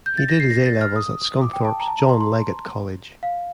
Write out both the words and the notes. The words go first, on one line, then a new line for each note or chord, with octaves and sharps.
He did his A levels at Scunthorpe's John Leggott College.
G6
A6
A#6
C7
A#6
A6
F6
D#6
D6
G5
A5
A#5
A5
A#5
C6
C6
F5